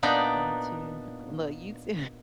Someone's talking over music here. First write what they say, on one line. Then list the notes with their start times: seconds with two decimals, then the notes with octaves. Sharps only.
You too? Well, you too.
0.03 A#2 B3 D4 D#4 D5 G5